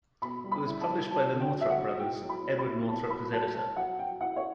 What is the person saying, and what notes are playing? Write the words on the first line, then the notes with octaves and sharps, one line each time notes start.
It was published by the Northrup brothers - Edward Northrup was editor.
B2 B5
G3
B5
E4
A5
G3
F#3 A5
D3
G5
F#3
E5
F#5
F#3
E4 G5
F#3
B5
F#3
B5
E4
B3 A5
F#3 B5
F#3 A5
F#3 A5
F#3 F#5
F#3 G5
E4 F#5
C#5